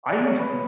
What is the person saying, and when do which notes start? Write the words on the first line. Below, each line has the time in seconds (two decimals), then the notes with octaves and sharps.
I used to
0.09 D5
0.24 C#5
0.38 B4